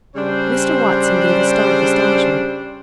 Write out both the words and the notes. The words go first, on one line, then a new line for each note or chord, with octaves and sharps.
Mr. Watson gave a start of astonishment.
C#3 G3 D4 C5